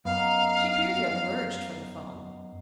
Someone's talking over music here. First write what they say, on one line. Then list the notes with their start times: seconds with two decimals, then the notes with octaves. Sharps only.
She appeared to have emerged from the foam.
0.05 F#2 B3 D#4 F5